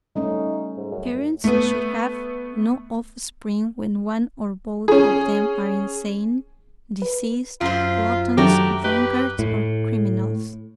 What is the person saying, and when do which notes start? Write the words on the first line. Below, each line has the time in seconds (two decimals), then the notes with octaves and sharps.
Parents should have no off-spring when one or both of them are insane, diseased, gluttons, drunkards or criminals.
0.16 G3 A3 C#4 D#4
0.77 G#2
0.92 F#2
1.44 A3 B3
4.88 C#4 G#4
7.02 B4
7.61 F#2 F4 C5
8.38 D#3 F#3 A3 D4 F#4 G4 A#5
8.84 D#4 G4 B4
9.39 A2